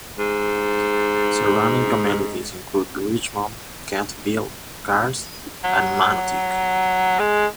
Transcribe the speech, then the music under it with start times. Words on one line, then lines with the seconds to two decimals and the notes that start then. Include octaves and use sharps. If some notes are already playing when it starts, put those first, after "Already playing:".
Surrounding communities include Richmond, Kemptville, Kars and Manotick.
0.18 G#2
5.64 F#3
7.19 G#3